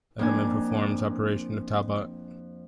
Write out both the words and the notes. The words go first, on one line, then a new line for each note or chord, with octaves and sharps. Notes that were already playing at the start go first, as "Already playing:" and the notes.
Edelmann performs the operation on Talbot.
F2 A#3 D4 G#5